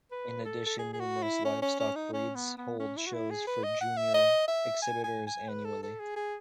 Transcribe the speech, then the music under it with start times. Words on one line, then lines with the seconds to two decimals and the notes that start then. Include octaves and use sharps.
In addition numerous livestock breeds hold shows for junior exhibitors annually.
0.11 B4
0.45 A4
0.66 A4
0.78 G#4
0.93 G#4
1.00 F#4
1.23 E4
1.45 C#4
1.62 C#4
1.79 C#4
1.95 D#4
2.13 C#4
2.35 B3
2.57 B3
2.79 C#4
2.97 E4
3.07 F#4
3.14 E4
3.30 G#4
3.47 B4
3.63 D#5
3.81 F#5
3.97 E5
4.14 D#5
4.48 E5
4.82 G#5
5.04 G#5
5.27 G#5
5.49 B4
5.65 A4
5.83 A4
5.99 G#4
6.16 G#4